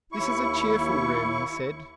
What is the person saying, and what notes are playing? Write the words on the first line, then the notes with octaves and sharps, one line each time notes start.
"This is a cheerful room," he said.
D#2 E4 C#6